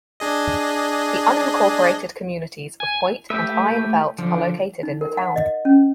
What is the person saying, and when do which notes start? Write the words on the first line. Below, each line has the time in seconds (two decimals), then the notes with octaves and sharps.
The unincorporated communities of Hoyt and Iron Belt are located in the town.
0.20 D4 G#4 D#5
2.80 G#5
3.30 A3 G4 B4 E5
4.18 D3 F3
4.83 D#4
5.01 A#4
5.17 F#5
5.36 D#5
5.65 C#4